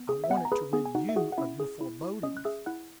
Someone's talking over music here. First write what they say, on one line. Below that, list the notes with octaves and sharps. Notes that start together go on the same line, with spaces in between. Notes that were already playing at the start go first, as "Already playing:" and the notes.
I wanted to rid you of your forebodings.
Already playing: B3
G#4
E5
B3 F#5
G#5
A#5
G#4 B4 B5
B3 G#4 G#5
G#5
D#4 F#4 F#5
E5
F#4 G#4 F#5
F#5
C#4 E4 E5
G#4
E4
E4
C#4 D#5 D#6
F#6
G#4 E5 E6
E4 F#5 F#6